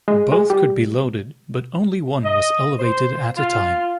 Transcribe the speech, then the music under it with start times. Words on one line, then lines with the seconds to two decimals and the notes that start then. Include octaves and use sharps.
Both could be loaded, but only one was elevated at a time.
0.08 G#3
0.32 G#3
0.50 G3
2.25 D#5
2.79 C5
3.37 F4